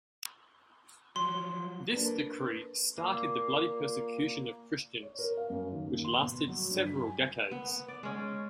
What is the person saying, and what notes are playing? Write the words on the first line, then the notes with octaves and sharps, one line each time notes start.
This decree started the bloody persecution of Christians, which lasted several decades.
F3 F#3 C6
A#3 D4 A4 B4
A#2 A#3
C#5
A#4
F5
F#2
D#3
D#2
C6
B2
F#3
G2
B6
G#5
B3
D5
G#3 C#4